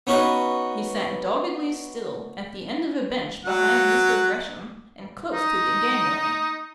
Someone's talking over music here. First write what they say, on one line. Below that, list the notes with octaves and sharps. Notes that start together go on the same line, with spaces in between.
He sat doggedly still, at the end of a bench behind Mr. Gresham, and close to the gangway.
B3 C#4 D#4 F#4 B4
F#3 F#5
D#4